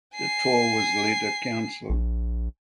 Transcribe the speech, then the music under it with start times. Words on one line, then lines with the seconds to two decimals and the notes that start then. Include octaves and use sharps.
The tour was later cancelled.
0.15 G#5 C7
1.89 A#1